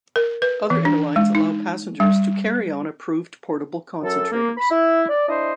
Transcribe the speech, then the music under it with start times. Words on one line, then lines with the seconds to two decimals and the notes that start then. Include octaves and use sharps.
Other airlines allow passengers to carry on approved portable concentrators.
0.16 A#4
0.42 B4
0.70 E3
0.85 D4
1.16 G#3
1.35 D#4
2.00 G3
4.02 F#2 A4
4.32 A#3
4.57 B5
4.71 E4
5.09 D5
5.29 D4 E4 C5 D#5